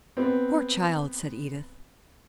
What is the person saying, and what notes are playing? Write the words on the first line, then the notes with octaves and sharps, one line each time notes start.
'Poor child!' said Edith.
B3 C4